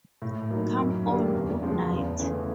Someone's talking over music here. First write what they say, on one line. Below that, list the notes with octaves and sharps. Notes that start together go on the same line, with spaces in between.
Come on, good night!
A2
F#3 A#3 D#4
F#2
D3 G3 A#3 D4
E2
C#3 F3 G#3
E2
C#3 E3 A3